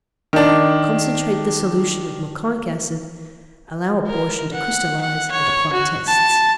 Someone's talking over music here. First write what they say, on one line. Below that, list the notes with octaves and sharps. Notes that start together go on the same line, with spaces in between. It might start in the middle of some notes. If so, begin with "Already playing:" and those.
Concentrate the solution of meconic acid, allow a portion to crystallize, and apply tests.
D#3 D4
A#4
F#5
F#5
C#5
F#4
A5